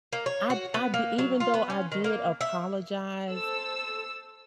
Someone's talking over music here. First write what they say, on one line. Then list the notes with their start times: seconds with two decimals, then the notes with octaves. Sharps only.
I d I di even though I did apologize,
0.13 A#3
0.26 C#5
0.50 F#4
0.74 B3
0.94 A#3
1.18 F#3
1.40 F4
1.54 B3
1.70 C#4
1.92 D#3
2.04 A#3
2.41 E5
3.29 A4 C5 E6